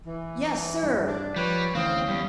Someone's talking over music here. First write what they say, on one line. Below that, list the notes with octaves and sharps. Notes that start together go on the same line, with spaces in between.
"Yes, sir."
E3
G2
D4
F3 G3 B4 C#5
D2 E3 C4 C#4 D#5 F5
E2 G3